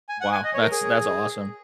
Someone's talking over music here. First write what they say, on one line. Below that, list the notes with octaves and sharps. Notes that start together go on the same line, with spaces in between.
Wow. That's that's awesome.
G#5
F#5
G#5
D#5
C#5
A#4
G#4